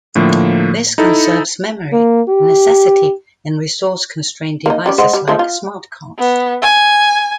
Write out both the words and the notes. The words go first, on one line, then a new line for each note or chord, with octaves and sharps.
This conserves memory, a necessity in resource constrained devices like smart cards.
A2 D3 F3 A#3
D#4 E4 A4
A#3
G4
A#3 D#4
G3 C#4 D5
G#3 C5 F#5
G3
F3 G#3 A3
F4
B3
G#5